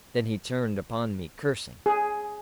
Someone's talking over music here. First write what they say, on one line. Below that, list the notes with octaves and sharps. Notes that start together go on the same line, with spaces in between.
Then he turned upon me cursing.
G#4